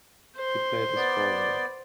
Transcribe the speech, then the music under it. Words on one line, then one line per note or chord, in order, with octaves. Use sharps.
He played as forward.
C5
B3 D5